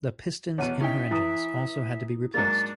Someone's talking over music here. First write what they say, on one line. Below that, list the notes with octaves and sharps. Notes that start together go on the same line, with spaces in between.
The pistons in her engines also had to be replaced.
E2 B2 C#5 F#5 D#7
C#4 D#4 E4 E5 G5
E3 E4 A#5 D#6
G#2 F#3 A#3 D4 A6